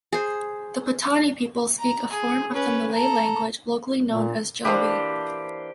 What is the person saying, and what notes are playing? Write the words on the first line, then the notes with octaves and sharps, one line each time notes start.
The Patani people speak a form of the Malay language locally known as Jawi.
G#4 C5
A#5
G#4
C#4 B4
A4 A#5
A#2
E3 A#3 D4 G4 C5